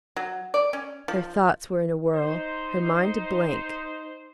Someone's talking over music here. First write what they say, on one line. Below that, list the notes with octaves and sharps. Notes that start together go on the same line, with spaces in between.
Her thoughts were in a whirl--her mind a blank . . .
F#3
D5
C#4
F3
D#4 C5